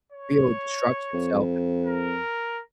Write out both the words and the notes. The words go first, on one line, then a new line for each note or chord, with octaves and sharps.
real destruction. So
C#5
F2
A#4